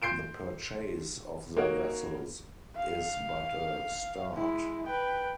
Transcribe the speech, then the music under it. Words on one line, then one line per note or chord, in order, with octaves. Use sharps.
The purchase of the vessels is but a start.
C6 G6 C7 D7 E7
A#3 D#4 F#4 A#4 C#5
F5
G#3 E4
B4 G5